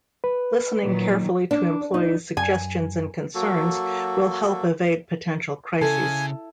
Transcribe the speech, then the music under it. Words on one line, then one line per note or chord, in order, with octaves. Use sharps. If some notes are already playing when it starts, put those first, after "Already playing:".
Listening carefully to employees' suggestions and concerns will help evade potential crises.
B4
A#2 D#3 F#3
D4
D#4
F#2 G#5
F#3 A#3 F#4 A4
C#3 E4 A4 G#5